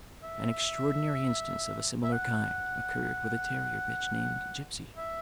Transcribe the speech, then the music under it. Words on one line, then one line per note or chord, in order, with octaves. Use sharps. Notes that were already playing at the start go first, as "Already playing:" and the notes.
An extraordinary instance of a similar kind occurred with a terrier bitch, named Gipsy.
E5
E5
F#5
E5